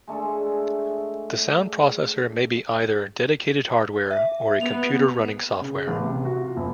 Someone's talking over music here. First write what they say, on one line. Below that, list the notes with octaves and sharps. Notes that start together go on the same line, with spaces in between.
The sound processor may be either dedicated hardware, or a computer running software.
G#3 A3 D4 A4
E5
B3 F7
C#3
A1
C3
F#4
F4
F#1